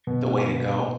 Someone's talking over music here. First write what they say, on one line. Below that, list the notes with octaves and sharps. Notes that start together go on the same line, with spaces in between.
the way to go,
B2
B2